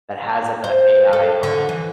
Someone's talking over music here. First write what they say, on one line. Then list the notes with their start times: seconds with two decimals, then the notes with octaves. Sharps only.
that has, like, a AI on it
0.64 C5
1.13 A4
1.43 D3
1.69 E3